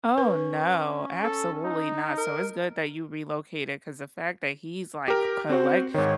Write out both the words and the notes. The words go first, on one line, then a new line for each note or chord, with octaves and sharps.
Oh, no, absolutely not. So it's good that you relocated 'cause the fact that he's like c collect
C#4 B4
A4
D#4
A#4
G4 A#4
C4 F#4 C5
G#2 D#3 C#5